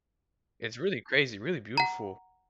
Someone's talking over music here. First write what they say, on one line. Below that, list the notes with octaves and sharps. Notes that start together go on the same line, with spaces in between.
It's really crazy, really beautiful,
F#5 A#5